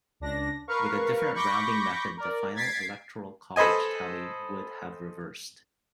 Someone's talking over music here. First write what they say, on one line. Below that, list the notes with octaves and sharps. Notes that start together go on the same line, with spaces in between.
With a different rounding method the final electoral college tally would have reversed.
C#2 D4 A#6
A#4 B4 F5 C#6
B5 C#6 D6 G6 A#6
A#4 D5
G#6 A6 B6 C7 D7
A4 B4 C5 D#5 G#5